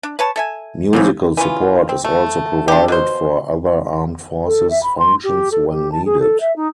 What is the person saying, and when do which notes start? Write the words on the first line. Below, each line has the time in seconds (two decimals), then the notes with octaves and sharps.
Musical support is also provided for other armed forces functions when needed.
0.03 D4
0.19 B4 C#5 A5
0.36 A4 E5 G#5
0.93 F#2 C#3 E3 F#3 C4
1.37 E3 C#4 F4
1.89 C4
2.04 A3
2.68 D4 G4
2.88 B2 F#3 C5
4.46 A4
4.70 E5
4.83 B5
4.98 C6
5.24 G4
5.52 A4
5.72 G4
5.92 A5
6.06 G#4
6.20 A4
6.40 E5
6.56 D#4